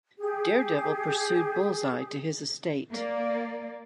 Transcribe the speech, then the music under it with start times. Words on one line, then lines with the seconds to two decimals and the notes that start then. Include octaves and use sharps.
Daredevil pursued Bullseye to his estate.
0.19 G4 G#4
2.91 A#3 D5